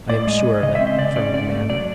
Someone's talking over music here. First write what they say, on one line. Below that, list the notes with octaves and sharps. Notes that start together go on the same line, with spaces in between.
I am sure of it, from your manner.
A2 D5
G#3 D#5
G#3
C#3 D#5
E5
C4
D#5
C#3 D5
C#4 D5
G#2 D5
A3
F#3 D5